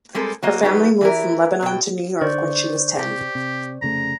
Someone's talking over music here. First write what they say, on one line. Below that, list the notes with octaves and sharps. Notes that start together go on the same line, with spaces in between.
Her family moved from Lebanon to New York when she was ten.
G3 G#3 C4 A4 A#4
F#3 A#3 D#5
F#3 D#4 G4 B4
E3 E4 A#4
B2 G5
D3 C5 D5 C#6
C3 G4
C3
F1 C#3 A3 A#5